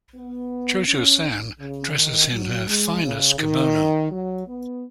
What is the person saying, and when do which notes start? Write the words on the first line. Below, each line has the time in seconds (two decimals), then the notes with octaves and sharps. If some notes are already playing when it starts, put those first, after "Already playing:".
Cho-Cho-San dresses in her finest kimono.
0.15 B3
0.87 C#4
1.59 C#3
1.95 D#3
2.31 F#3
2.67 G#3
3.03 C#3
3.39 D#3
4.11 F#3
4.47 B3